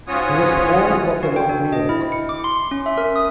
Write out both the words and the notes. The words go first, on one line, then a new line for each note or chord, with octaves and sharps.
He was born in Buffalo, New York.
G#2 C#4 F4 F#4 C#5 D#6
F#4
G5
D4
D#5
E4
C#7
D6
C6
C#4
E5
A#4
D#6